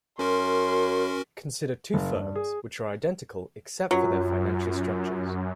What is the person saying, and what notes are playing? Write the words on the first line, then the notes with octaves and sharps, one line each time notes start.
Consider two firms which are identical except for their financial structures.
F#2 C#4 F#4 A#4 C6
F#1
G2
G#4
F#2 F#3 F4